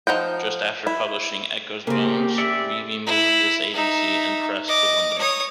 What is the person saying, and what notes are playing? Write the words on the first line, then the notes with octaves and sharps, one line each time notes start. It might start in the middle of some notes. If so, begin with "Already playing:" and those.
Just after publishing "Echo's Bones", Reavey moved this agency and press to London.
F3 D#4 F#5 G5
E4
C#3 A#3 C4 G4
D5 E5 C#7
E4
D#4 E5
D#5 D6
C#5 D#6